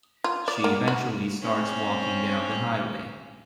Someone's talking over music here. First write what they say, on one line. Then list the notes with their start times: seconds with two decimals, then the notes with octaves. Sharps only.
She eventually starts walking down the highway.
0.24 F4
0.48 D5
0.64 A#3
0.88 F#4
1.41 C4 C#4